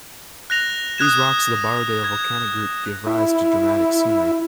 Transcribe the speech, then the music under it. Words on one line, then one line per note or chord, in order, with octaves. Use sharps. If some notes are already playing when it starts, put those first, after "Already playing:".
These rocks of the Borrowdale Volcanic Group give rise to dramatic scenery.
F#6 A#6 F7
D#6 F#6 G#6 E7
G#6
E4